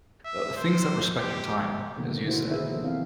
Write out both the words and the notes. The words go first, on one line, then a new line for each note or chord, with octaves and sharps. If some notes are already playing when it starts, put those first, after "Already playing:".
uh, things that respect your time, as you said
E5
C5
G4
B2 D3 D#3 F#3 A#3 B3
E4 F#4 C5
D#3 D4 D#4 G#4 B4 E5
F3 B3 A4
E3 C4 E4 E5 F5